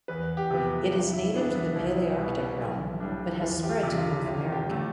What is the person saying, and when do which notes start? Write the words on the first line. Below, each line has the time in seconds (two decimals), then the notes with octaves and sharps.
It is native to the Palearctic realm but has spread to North America.
0.08 E2 B4
0.37 G4
0.51 C3 F3 B3
0.92 G2 E4
1.13 E4
1.33 E3 B3 D4 E4
1.55 E4
1.76 C2
2.17 B2 G3 B3
2.59 B1
3.00 A2 G3 D4
3.36 E4
3.41 E2 F4
3.63 G4
3.69 F4
3.83 C3 F3
3.97 F4
4.20 E4
4.24 A1 F4
4.52 G4
4.66 G2 D3 A3